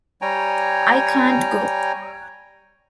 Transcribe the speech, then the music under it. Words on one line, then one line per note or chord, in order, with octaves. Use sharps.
I can't go!
G3 C#5 G5 G#5 A#5